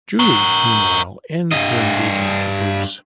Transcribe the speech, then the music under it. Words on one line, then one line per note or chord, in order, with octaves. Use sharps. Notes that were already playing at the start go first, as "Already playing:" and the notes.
Julie, meanwhile, ends her engagement to Bruce.
A#4 C#5
G2 D#5